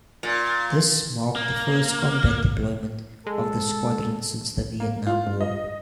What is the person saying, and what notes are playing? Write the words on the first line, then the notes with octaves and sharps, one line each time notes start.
This marked the first combat deployment of the squadron since the Vietnam War.
A#2
A#3
G#3 A4
A#3
F4
D#5